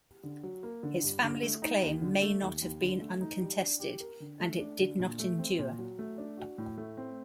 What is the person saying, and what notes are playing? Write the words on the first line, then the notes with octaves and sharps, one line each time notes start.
His family's claim may not have been uncontested, and it did not endure.
D3
F#3
A#3
D3
G2
D3
A3
D#4
D#2
D3
A3
D#2
D#2
D3
A3
D#4
G3
D4
G4
A#4
D3
A3
D4
D3
A#2
A3
C4
A#2
F#3
A3
D4
F#4
A2
A3
C4